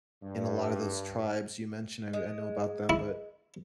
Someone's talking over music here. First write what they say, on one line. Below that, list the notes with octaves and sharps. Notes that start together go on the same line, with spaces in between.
in a lot of those tribes you mentioned, I I know about them, but
G2
G#3
E4